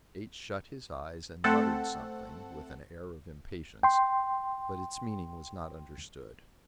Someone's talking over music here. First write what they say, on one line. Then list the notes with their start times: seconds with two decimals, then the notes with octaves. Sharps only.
H-- shut his eyes and muttered something, with an air of impatience; but its meaning was not understood.
1.44 A3 C4 A4 F#5
3.83 G5 C6